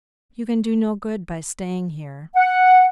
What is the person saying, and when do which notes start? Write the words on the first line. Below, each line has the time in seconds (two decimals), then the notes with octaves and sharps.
You can do no good by staying here.
2.35 F#5